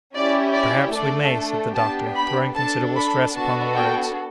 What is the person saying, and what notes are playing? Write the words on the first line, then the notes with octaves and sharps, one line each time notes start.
"Perhaps we may," said the doctor, throwing considerable stress upon the words.
C#4 E4 G4 D5
D5
A3 D4 A4 D5
B3 D4 G4 A5
B5
D4 A4 A5
B5
B3 D4 F#4 A4 A5
G5